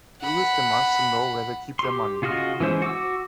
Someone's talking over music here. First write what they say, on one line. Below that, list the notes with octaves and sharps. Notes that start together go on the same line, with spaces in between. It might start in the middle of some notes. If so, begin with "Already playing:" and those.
Louis demands to know where they keep their money.
F#5 B5
G4 C6
C#3 F4 F#4 D#5 F6
E3 G#3 C#4 C5
F#4 D6 E6